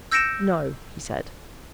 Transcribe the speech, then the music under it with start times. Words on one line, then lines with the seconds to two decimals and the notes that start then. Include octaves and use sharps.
"No," he said.
0.11 E6 G6 A#6 C#7 D7 E7